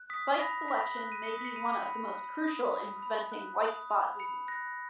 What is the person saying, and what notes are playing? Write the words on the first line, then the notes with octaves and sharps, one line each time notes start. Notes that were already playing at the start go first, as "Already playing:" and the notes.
Site selection may be one of the most crucial in preventing White Spot Disease.
Already playing: F#6
D#6 B6
B5 A#6
B5 B6
F#6
D#7
D#6 C#7
B6
C#7
B5 D#7
B5
F#6
D#6
B5
B5
F#6
D#6
B5
B5 C#7
F#6 A#6